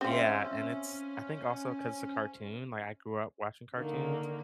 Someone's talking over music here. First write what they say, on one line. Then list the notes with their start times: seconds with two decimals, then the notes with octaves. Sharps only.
Yeah, and it's I think also 'cause it's a cartoon, like, I grew up watching cartoons,
0.01 C4 C#4 F4 C5 E5 F5
3.76 D3 D#3 A#3